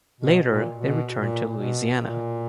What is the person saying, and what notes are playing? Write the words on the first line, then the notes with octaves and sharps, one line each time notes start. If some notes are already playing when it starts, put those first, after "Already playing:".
Later they returned to Louisiana.
B2
A#2
B2
A#2
B2
A#2